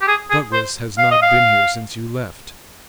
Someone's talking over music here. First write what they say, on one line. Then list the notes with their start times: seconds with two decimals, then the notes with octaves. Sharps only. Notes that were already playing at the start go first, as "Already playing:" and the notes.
Douglas has not been here since you left.
0.02 G4
0.08 G#4
0.30 G#4
0.53 C5
0.98 F5
1.11 D#5
1.22 F5